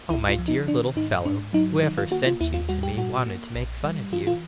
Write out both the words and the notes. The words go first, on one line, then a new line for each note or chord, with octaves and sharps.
Oh, my dear little fellow, whoever sent you to me wanted to make fun of you.'
C#2 E4
F4
F3
D#4
D#3 D4
G#2 D#4
G#2 D4
F#3 D#4
D#3 D#4
F4
A#3 F#4
F4
D#2 E4
F4
G3 F#4
G4
A#2 F#4
A#3
A#1
G3
E3 F4
F4